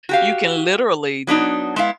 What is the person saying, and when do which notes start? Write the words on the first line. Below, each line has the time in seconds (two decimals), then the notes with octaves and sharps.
you can literally
0.09 F#4 G4 F5
1.27 F#3 B3 D4 D#4
1.76 G#3 B3 E4 F5